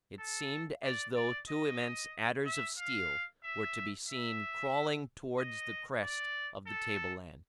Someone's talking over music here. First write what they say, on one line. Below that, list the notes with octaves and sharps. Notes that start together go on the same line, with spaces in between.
It seemed as though two immense adders of steel were to be seen crawling towards the crest of the table-land.
A4
D5
D5
D#5
E5
F5
E5
E5
D#5
D5
A4